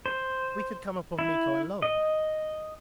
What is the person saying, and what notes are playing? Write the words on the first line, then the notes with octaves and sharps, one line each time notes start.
If we could come upon Miko alone!
C5
E4
D#5